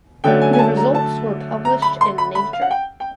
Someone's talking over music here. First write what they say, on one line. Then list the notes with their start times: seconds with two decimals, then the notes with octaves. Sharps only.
The results were published in Nature.
0.24 D3 F#3 A3 C#4 G5
0.41 G#5
0.53 G#5
0.59 A5
0.77 A#5
0.95 A5
1.65 A#5
1.82 B5
2.01 C6
2.18 B5
2.35 B5
2.53 F5
2.61 F#5
2.71 G5
3.00 G5